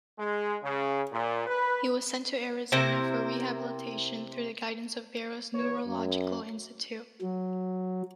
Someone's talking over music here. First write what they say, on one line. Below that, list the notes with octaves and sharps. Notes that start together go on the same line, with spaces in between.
He was sent to Arizona for rehabilitation through the guidance of Barrows Neurological Institute.
G#3
C#3
A#2
B4
C3 E4 A#4 C5
E2 B4 C#5
F#2
F#3